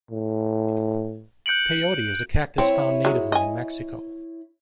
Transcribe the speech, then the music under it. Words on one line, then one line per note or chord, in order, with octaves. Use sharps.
Peyote is a cactus found natively in Mexico.
A2
F#6 G6 C#7 D7 F#7
C4 E4 C#5
F#3 G#3
D#5 G#5